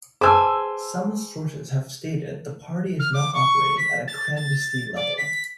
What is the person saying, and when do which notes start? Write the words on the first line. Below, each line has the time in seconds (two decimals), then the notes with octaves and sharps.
Some sources have stated the party is now operating at a clandestine level.
0.21 G#4 B4 C5 G#5 A5 D6 E6
3.00 F6
3.13 D6
3.34 C#6
3.78 B6
4.08 A6
4.36 A6
4.96 D5
5.18 B6